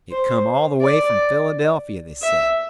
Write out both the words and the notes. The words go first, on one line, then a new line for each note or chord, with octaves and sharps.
It come all the way from Philadelphia, they said.
C5
D5
E5